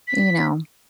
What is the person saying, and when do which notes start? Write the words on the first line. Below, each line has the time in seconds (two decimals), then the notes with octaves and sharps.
you know
0.08 B6